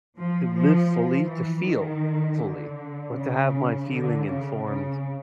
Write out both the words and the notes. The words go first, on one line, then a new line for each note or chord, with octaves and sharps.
to live fully, to feel fully, but to have my feeling informed
F3
F3
F3
E3
D#3
D3
C#3
D3
C#3
C#3